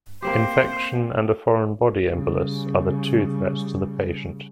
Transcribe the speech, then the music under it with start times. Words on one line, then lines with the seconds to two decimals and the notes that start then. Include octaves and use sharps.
Infection, and a foreign body embolus are the two threats to the patient.
0.22 A#3 C4 G4 C5
2.09 C#3 G3